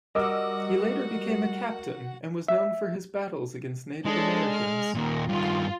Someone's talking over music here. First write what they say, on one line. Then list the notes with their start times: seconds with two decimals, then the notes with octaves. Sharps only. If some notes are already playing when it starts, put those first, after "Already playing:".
He later became a captain and was known for his battles against Native Americans.
0.15 G3 F#4 A#4 D#5 F#5 D6 E6
2.48 E5
4.05 G#3 D4 A4 C#5
4.48 F6
4.95 D#2 A#2 A#4
5.29 G2 D#3 F4